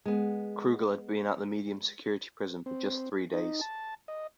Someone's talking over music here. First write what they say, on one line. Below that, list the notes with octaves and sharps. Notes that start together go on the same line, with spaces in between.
Krugel had been at the medium security prison for just three days.
G#3 B3
C4
D#4
A5
D#5